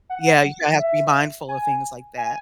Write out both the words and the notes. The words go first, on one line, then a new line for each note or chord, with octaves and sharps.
yeah, you have to be mindful of things like that.
F#5
E5
G#5
G#5